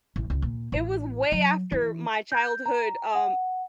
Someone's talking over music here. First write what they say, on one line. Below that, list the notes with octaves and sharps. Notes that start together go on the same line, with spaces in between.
it was way after my childhood, um,
A1
C#2
A#2
A1
F#3
E3
G6
A#5
F#5